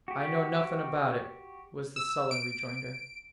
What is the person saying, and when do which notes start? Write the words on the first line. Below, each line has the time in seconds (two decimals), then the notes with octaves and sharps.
"I know nothing about it," was the sullen rejoinder.
0.08 F#4 G4
1.96 E6
2.31 D7